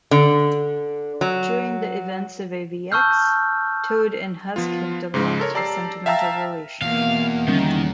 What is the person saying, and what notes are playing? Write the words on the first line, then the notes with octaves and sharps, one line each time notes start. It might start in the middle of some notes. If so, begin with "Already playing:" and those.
During the events of AvX, Toad and Husk have developed a sentimental relationship.
D3
F#3
A5 C#6 E6 F6 G6
F3 B3 F4
G#2 C#3 F3 G#3
A4 A#4 C#5
G4 D5 A5 A#5 E6 C7
E5 F5 G5 A5 A#5 E6
E2 B2 A#3 F5
D3 D#3 G3 C#4